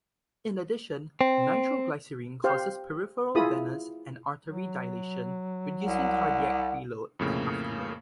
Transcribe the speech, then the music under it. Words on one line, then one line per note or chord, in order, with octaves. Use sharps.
In addition, nitroglycerin causes peripheral venous and artery dilation reducing cardiac preload and afterload.
C4
G4 C5 F5
E4 F4 G#4 B5 D#6
F#3
C2 F#5
F2 A2 C#3 A#3